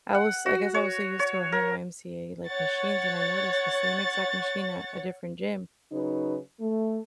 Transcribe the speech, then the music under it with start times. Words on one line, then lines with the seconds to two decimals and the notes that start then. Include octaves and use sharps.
I was I guess I was so used to our home YMCA, like, machines, and I noticed the same exact machine at a different gym.
0.15 F#5
0.46 F#4
0.74 C#5
1.19 C#5
1.52 A#4
2.47 C#5 F#5 C#6 A6
5.93 C#3 F#3 D#4 B4 C#5
6.61 A3